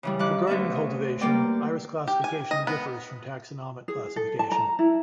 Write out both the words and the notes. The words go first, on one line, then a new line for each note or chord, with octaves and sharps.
For garden cultivation, iris classification differs from taxonomic classification.
C#3 E3 G3
G2 D#3 D6 F#6
D2 B3 C#4 E5
G#4
G3 A#3 B3 A#4 D5 G5
G4
G#5
D#5
B3
G#4
A4
A5
A#5
E4